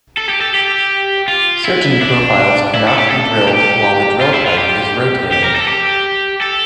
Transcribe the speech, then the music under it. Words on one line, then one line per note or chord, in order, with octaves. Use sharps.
Certain profiles cannot be drilled while the drill pipe is rotating.
A4
G4
A4
G4
F4
E4
D4
E4
A4
G4
A4
G4
F4
E4
F4
G4
G4
A#4
A4
G4
A4